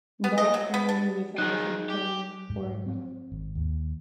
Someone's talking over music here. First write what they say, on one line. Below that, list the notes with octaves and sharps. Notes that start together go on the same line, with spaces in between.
Brock currently resides in Portland, Oregon.
B3
D#5
F#3
B3
D4
D#3 F3 D#4 G#4 F#6
G4
G#2
C4
G#1
D#2